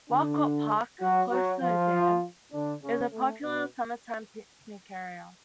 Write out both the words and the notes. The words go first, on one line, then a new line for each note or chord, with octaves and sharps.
Walcott Park, close to the dam, is a popular summertime picnic area.
D3 D4
F#3 F#4
F#3 F#4
F3 F4
D3 D4
C#3 C#4
A3
B2 B3